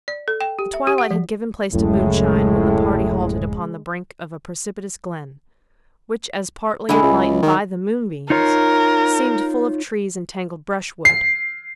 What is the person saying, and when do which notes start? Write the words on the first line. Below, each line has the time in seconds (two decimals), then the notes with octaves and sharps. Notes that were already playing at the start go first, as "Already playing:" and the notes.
The twilight had given place to moonshine when the party halted upon the brink of a precipitous glen, which, as partly enlightened by the moonbeams, seemed full of trees and tangled brushwood.
0.08 D5
0.28 A4
0.41 G5
0.59 G4
0.74 E5
0.87 G4
0.98 F#5
1.11 F3
1.73 D1 F#2 A2 C#3 G#3
6.89 D3 G#3 E4
7.02 C#2
7.42 D#3
8.30 D#4 F4 A#4 C#5
11.05 C7